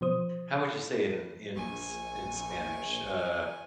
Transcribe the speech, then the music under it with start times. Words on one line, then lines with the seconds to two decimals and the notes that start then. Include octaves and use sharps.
how would you say it in in S in Spanish? Uh
0.01 B2 F3 C5 D#6
1.55 A#1 G#5 C#6